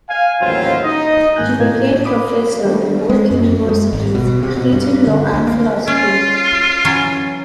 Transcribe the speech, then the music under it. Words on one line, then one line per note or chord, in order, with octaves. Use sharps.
He became professor in both universities teaching law and philosophy.
F5 G#5
A1 D#2 F#3 E4 F4 C5
D#4 D#5
G#2 D#3 A#3 G#5 F#6 G6
A2 A#3 G#6
B5 D6 D#6
D#3 G3 A3 B3 D4
G#3
F#2
G#3
G#1
B2
C3
B2
G2
D3
D2
A#3
C#4 F4
E3 F#3 C#4